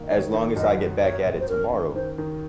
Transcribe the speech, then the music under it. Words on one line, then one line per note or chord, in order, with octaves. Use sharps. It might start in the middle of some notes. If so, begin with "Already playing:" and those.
as long as I get back at it tomorrow."
Already playing: D#3 A#3
D#3 C#5
D#3
F#2 D#5
F#2
A#3 C#5
F#2
C5
C#4 A#4
D#3
D#3 C5
D#3